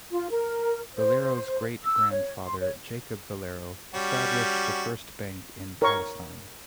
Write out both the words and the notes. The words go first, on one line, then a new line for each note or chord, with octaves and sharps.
Valero's great-grandfather, Jacob Valero, established the first bank in Palestine.
F4
A#4
C5
E6
C#5
C6
C#5
G3 C#4 F#4
A#4 C#5 C#6